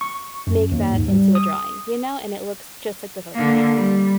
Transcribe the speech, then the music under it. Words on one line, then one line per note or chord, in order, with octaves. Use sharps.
make that into a drawing, you know? And it looks just like the photograph.
C#6
F#2
D#2
G#2
G3
D#6
D3 A#3
G3